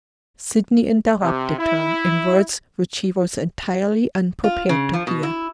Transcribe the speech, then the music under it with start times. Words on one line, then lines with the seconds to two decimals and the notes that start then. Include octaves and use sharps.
Sydney interrupted her, in words which she was entirely unprepared to hear.
1.22 C3
1.58 E4
4.44 F4
4.69 C#3
4.93 F3
5.07 B2
5.23 E4